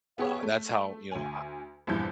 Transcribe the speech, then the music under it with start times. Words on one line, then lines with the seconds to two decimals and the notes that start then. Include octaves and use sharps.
uh, that's how, you know, I
0.18 B3 G4 G#4 C#5
0.43 A3
1.11 D2 G#5
1.87 A#1 E2 G2 E4 G6